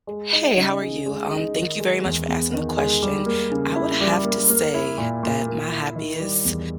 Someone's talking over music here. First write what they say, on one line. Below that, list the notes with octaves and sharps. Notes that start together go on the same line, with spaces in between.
Hey, how are you? Um, thank you very much for asking the question. I would have to say that my happiest
G#3
D#4
C#3
G#4
G#3
D#4
D#3
G#3
E2
B3
D#3
G#3
G3
A#3
C#3
E4
G3
A#3
A#3
E4
A#2
A#2
A#3
E4
D#3
G3
E2